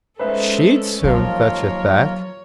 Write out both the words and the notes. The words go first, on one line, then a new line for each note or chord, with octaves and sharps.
'She'd soon fetch it back!'
G#3 C#4 D#4 A4 B4 C5 E5
D#2 F3 F#3 F4 A#4 C#5